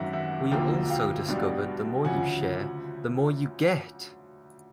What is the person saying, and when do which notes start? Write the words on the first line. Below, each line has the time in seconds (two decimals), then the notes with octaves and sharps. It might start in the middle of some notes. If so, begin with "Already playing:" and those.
We also discovered the more you share, the more you get!
Already playing: G#1 F#2 D#3 E5 F#5
0.13 E5 F#5
0.51 E1 D2 D3 F3 A#3 F5 G5
0.90 F5 G5
1.28 B1 B2 G3 B3 D4
2.05 D2 C#3 F3 F#5 G#5